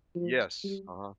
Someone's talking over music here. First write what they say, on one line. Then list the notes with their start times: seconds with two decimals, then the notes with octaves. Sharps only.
Yes, uh-huh.
0.16 F3
0.64 G3